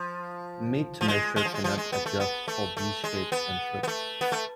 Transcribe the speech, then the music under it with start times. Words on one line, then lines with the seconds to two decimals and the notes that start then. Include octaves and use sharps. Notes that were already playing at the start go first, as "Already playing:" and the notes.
Made-to-measure cannot adjust for these shapes and slopes.
Already playing: F3
1.01 F3
1.08 G#3
1.36 G#3
1.45 F3
1.54 G#3
1.64 F3
1.78 G#3
1.92 B3
2.06 A3
2.20 B3
2.48 A3
2.77 A3
3.04 G#3
3.32 B3
3.83 B3
3.88 A3
4.21 B3
4.32 A3